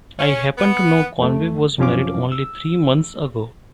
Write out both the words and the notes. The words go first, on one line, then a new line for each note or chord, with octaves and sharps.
I happen to know Conway was married only three months ago.
C#4
B3
F2 A3
F#2 C3 F3 C#4 F5 D6
E6